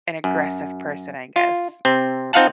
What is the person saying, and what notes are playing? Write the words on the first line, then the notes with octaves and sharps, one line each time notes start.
an aggressive person, I guess.
F#2
F4
C3 C4
C4 D#4 F4 F5 F#5 A5